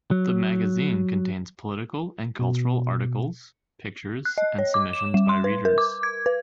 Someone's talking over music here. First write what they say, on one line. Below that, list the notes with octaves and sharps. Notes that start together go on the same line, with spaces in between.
The magazine contains political and cultural articles, pictures, and submissions by readers.
F#3
B2
F#6
D#5
C#5
D6
E7
G3
C6
B4
A#4
D6
G#6
B4